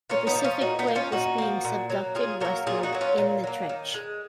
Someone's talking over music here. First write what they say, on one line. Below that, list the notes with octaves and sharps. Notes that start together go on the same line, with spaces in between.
The Pacific Plate is being subducted westward in the trench.
A#2 C#4 F4
B3 D#4
F3 A#3
C#4 F4
A#2 D#4 F#4
B3 D#4
F3 A#3
C#4 F4
A#2 D#4 F#4
F3 A#3
A#2
F#3 A#3
A#2 F4 G#4
F#3 A#3 F#4 A#4
A#2 F4 G#4
D#4 F#4
F#3 A#3
C#4 F4
A#2
F#3 A#3
D#3
G#3